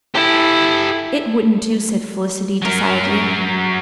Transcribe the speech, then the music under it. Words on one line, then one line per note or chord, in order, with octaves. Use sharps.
"It wouldn't do," said Felicity decidedly.
E4 G4 A4
F#3 A#4